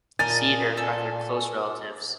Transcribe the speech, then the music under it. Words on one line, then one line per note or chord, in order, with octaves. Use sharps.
Cedars are their close relatives.
A#2 A#4 D#5 G#5 A5 A6
A4